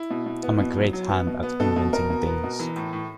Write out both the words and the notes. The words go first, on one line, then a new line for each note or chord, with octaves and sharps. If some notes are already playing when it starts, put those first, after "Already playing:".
I’m a great hand at inventing things.
Already playing: E4
B2
B2
B3
B2
F#3
F#3
B3
B2
B3
B2 A4
B2
B2 A#4
B2
B3
B2
E3
A2
A2